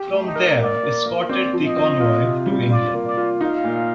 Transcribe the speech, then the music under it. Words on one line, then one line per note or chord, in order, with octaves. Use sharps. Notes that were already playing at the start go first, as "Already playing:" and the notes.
From there escorted the convoy to England.
Already playing: G4
A3
D#4
A#4
A#3 D5
A#3
A#3
C4 D5
F3
D#5
C4
F4
C3
G3
F4 D5
A#3
D5
F4
D#4 F5
A#2